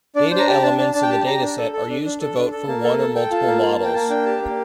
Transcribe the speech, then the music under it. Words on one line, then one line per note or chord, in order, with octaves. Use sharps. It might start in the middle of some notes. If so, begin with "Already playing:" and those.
Data elements in the dataset are used to vote for one or multiple models.
D4 D5
D4 C5
A#5
G4 A5
D4 A5
D4 A5
D4 A5
G5
G4 A5
G4 A#5
D4
A4
A4
D4
D4
A4
D4
A4
A#3 A5
A4 A5
A4 A5
A4 G5
F4 A5
A#3
A#3
A#3
G5
A#3 A5
D4 G5
G4 A5
A#3